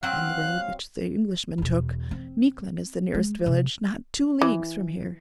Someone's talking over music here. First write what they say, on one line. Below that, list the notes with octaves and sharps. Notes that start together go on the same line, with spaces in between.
"On the road which the Englishman took, Miquelon is the nearest village, not two leagues from here."
F#3 C4 F5 F#6
E2 B2
C4
G#3
C3
E3